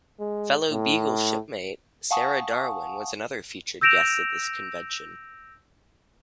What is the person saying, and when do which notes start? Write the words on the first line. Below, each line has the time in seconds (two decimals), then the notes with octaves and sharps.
Fellow "Beagle" shipmate Sarah Darwin was another featured guest at this convention.
0.20 G#3
0.71 A2
2.11 F5 F#5 G#5 A5 C#6 D#6
3.81 E6 G6 A#6 D7 E7 F7